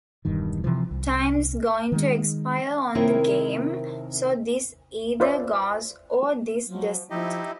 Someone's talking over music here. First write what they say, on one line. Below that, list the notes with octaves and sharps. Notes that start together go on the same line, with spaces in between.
Time's going to expire on the game, so this either goes or this doesn't.
E1 E2 G2 D#3
C3 E3 F3
C2
D#3 G#3
C3 D#3 C4 E4 A#4 C#5
F4 B4 C5 D5 E5
F3 F#3
F3 D#4 E4 G4 D#5